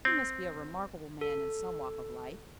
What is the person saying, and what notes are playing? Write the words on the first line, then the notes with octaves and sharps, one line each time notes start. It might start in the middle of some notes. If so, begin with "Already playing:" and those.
He must be a remarkable man in some walk of life.
C4
A4